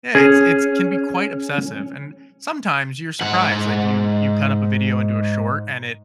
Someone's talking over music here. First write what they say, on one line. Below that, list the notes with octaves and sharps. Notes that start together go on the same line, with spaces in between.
yeah, it's it's can be quite obsessive, and sometimes you're surprised, like, you you cut up a video into a short, and it
C#4 G#4
G#2 F#5